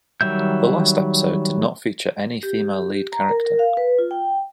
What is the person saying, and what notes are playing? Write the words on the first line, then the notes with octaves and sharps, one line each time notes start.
The last episode did not feature any female lead character.
D#3 F#3 G3 E5 G6
G4
A#5
A#4
A#4
F5
B4
F4
G5